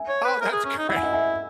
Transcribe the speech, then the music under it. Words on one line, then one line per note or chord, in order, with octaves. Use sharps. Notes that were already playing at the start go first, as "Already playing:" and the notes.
Oh, that's great.
Already playing: E5 G#5
C#5
B4
A#4
G#4
C#4
D#4
E4 F#5
G#5
D#5 F#5
E5 G#5